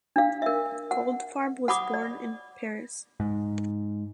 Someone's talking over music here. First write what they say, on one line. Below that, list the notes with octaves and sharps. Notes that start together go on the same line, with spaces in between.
Goldfarb was born in Paris.
D4 F5
A#4 E5
F#5
F#5 B5 D6 D#6
D5
G#2